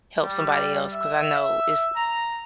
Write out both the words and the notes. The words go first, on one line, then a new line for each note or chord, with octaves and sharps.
help somebody else- 'cause I know it's
G3
E5
A#5